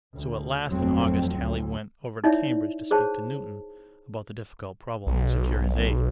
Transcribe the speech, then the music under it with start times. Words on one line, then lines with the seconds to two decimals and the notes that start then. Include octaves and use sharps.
So at last, in August, Halley went over to Cambridge to speak to Newton about the difficult problem and secure his aid.
0.15 D2
0.71 G1 F2 F#3 A3 C4
1.40 D2
2.24 D#4 E4 C#5 D5 E5
2.91 G#4 C5 C#5 A5
5.07 B1